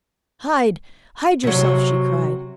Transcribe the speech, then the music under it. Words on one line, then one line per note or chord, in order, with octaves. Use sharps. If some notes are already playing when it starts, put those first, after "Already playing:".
"Hide! hide yourself!" she cried.
C3 F#3